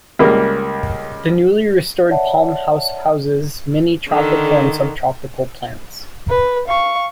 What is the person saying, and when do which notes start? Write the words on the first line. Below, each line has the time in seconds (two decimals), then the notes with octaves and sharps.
The newly restored Palm House houses many tropical and subtropical plants.
0.19 C#2 G3 A#3
2.09 C#5 D5 E5 F#5 A5
4.09 D3 D#3
6.29 B4
6.67 F5 C#6